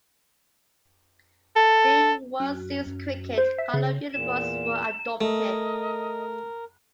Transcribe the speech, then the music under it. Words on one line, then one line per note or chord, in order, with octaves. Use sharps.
During World Series Cricket, coloured uniforms were adopted.
A4
F#2
C5
E5
C#3
E2 A#2 E7
A3 A#4 D#5